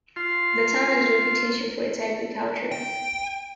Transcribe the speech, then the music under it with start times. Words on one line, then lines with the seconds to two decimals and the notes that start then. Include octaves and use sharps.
The town has reputation for its agriculture.
0.16 F4 C6
2.72 G5